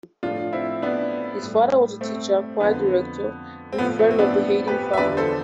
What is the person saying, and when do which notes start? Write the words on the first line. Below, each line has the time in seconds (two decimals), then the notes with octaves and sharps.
His father was a teacher, choir director and friend of the Haydn family.
0.23 A2 F3 D4 F4
0.53 C4 E4
0.82 B3 D4
1.42 A2 G3
2.01 A3 C4
2.60 F2 D3 F3 B3
3.72 C4
3.78 A2 F3 B3
3.99 A3 C4
4.11 C4
4.19 B3 D4
4.67 G4 B4
4.93 E5
4.98 E2 D3 F3 B4 D5
5.17 A4 C5